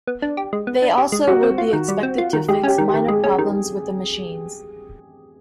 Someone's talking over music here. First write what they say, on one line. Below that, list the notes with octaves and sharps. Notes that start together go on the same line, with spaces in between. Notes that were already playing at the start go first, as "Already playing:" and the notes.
They also would be expected to fix minor problems with the machines.
B3
D4
G4
G#3
B3
D4
G4
G#3
G3 F#4
C4
F4
D#3
G3
C4
F4
D#3
G#3 G4
C#4 G4
D#3
G4
D#3
G#3 G#4
C#4 G#4
D#3 G4